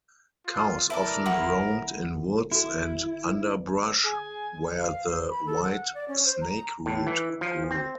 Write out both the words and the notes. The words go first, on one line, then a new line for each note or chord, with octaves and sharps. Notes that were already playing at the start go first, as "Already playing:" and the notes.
Cows often roamed in woods and underbrush, where the white snakeroot grew.
F4
E4 A4 A#4 D5
E4 F#5 C#6
E4 F#4 A4
G#4 G#5
F5
C5
B5
A4
F#5
D5
C#4
C5
A#5
A2
E3
F3
C4